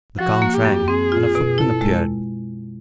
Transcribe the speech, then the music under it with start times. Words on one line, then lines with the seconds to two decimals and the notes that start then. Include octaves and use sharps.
The count rang, and a footman appeared.
0.19 F3 F#4
0.42 A#3
0.54 G4
0.65 F#2
0.88 C4 G#4
1.12 F4
1.35 B2
1.58 E4 A4
1.81 G#3